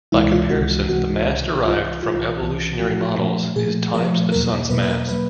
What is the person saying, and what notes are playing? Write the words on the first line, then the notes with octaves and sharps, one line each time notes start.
By comparison, the mass derived from evolutionary models is times the Sun's mass.
C#2 C3 E3 G#3 E4
F4
C#2 C3 E3 G#3 F#4
C#2 C3 E3 G#3 F#4
C2 C3 E3
C2 C3 E3 F4
C2 C3 E3 F4
C2 C3 E3
A#2 F3 A3 F#4
A#2 F3 A3
A#2 F3 A3 G#4
A#2 F3 A3 A#4
E2 B2 F#3 A#3 A#4
E2 B2 F#3 A#3 B4
B4
A#4
B2 F#3 A#3 B4